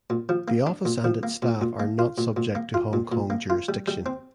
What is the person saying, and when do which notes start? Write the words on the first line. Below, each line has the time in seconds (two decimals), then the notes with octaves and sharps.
The office and its staff are not subject to Hong Kong jurisdiction.
0.10 A#2
0.29 F3
0.48 A#3
0.67 D4
0.85 A#2
1.04 F3
1.23 A#3
1.43 A#2
1.61 A#2
1.80 A#3
1.99 F4
2.18 A#2
2.36 A#2
2.55 A#3
2.74 F4
2.93 A#2
3.12 A#2
3.30 A#3
3.50 F4
3.69 G3
3.88 G3
4.06 C4